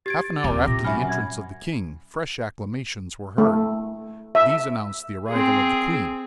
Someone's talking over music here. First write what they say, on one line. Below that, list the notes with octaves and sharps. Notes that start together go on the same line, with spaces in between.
Half an hour after the entrance of the king, fresh acclamations were heard; these announced the arrival of the queen.
G4 G#6 A6 D7
D#2 C3 C#4 D6
A#2 A#6
F#2 E5 G#5 B5 F6
G#6
A3
E5
C4 G#4